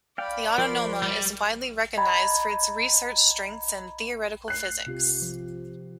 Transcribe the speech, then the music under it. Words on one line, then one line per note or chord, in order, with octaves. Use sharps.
The Autonoma is widely recognised for its research strengths in theoretical physics.
D5 F5 G5 B5
F3 A#4 C5
G3
D#5 G5 A#5 B5 G#6
F#6 C7
C3 F4 G4
F3